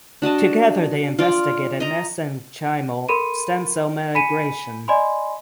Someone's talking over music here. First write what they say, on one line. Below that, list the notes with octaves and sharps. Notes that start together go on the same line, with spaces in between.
Together they investigated mesenchymal stem cell migration.
D4 F#4 D#5 A5
F4 D5 D6
D#5 A#5
A4 A#4 B5 C6 C#7 D#7
G#5 B5 B6 C#7 D#7
D5 D#5 G#5 B5 C6